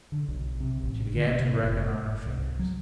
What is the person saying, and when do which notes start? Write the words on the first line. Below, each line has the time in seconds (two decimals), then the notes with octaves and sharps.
She began to reckon on her fingers.
0.12 D3
0.28 B1
0.60 C3
0.82 A1
1.15 D3
1.27 A#3
1.40 C3
1.64 F#1
1.91 G#2
2.26 C2
2.59 F#3